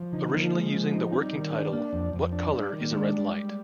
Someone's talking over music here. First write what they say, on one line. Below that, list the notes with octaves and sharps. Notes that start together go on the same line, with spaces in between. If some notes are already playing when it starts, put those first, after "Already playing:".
Originally using the working title What Color Is A Red Light?
Already playing: F3
D3 D#4
F3 A#3
G#3
F3
D#4
G3 C4
D#3
D4
A#3 D4
F2
F2
D4
G3
D#3
A#3
G#3 D4
G3
G3